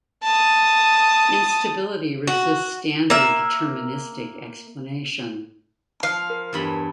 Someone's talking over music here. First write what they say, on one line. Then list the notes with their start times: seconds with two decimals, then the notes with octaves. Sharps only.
Instability resists standard deterministic explanation.
0.23 A5 D#6
2.27 F#4
3.10 A#3 E5
6.03 F3 F5
6.30 A#4
6.53 E2 G2 B5